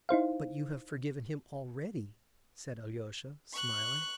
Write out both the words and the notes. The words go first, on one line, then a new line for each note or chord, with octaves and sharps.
"But you have forgiven him already," said Alyosha, smiling.
D#4 E4 C5 F5
C#6 F#6